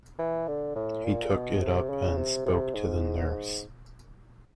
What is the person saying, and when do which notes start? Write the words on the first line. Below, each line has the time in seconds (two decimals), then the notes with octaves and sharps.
He took it up and spoke to the nurse.
0.19 E3
0.48 D3
0.76 A2
1.05 A#2
1.33 B2
1.62 C3
1.89 C#3
2.18 C3
2.46 C3
2.74 G#2